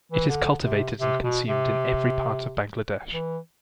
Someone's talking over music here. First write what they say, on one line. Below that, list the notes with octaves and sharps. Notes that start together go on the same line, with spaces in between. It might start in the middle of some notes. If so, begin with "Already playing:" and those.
It is cultivated and consumed in every part of Bangladesh.
E3
D3
C3
C3
B2
C3
E3